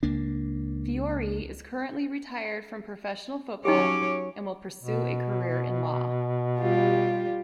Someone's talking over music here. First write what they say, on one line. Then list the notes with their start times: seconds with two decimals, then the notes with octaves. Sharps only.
Fiori is currently retired from professional football and will pursue a career in law.
0.03 C#2 A#3 D4
3.65 F#3 C#4 D#4 G4 C#5 D6
4.83 B2
6.59 G3 F4 G4